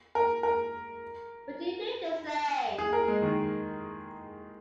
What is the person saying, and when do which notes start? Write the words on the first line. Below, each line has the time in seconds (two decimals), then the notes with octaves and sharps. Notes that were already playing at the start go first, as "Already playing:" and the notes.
What do you mean to say?
0.15 A#4
0.43 A#4
2.78 G#4
2.93 A#4
3.08 G#3
3.22 D#3